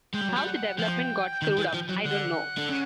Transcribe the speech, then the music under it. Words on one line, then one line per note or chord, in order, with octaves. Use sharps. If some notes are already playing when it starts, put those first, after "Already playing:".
How the development got screwed up, I don't know.
G#3 G5
G3
F#3
G3 G5
F#5
F3 G5
D#3
E3
F3
F#3
D3 F#5
D3
C#3